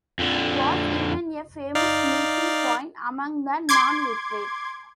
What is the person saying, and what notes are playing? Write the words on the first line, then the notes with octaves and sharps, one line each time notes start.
It was even a famous meeting point among the non-literate.
F2 D3
D#4 D5 F5
C6 D6 G#6